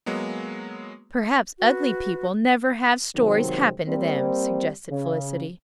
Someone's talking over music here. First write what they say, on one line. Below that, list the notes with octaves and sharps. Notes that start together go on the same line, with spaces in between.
"Perhaps ugly people never have stories happen to them," suggested Felicity.
F#3 G#3 A#3 B3
F#4 B4
C3 D#3 F#3 G#3 C4
G3 A#3 C4
C#3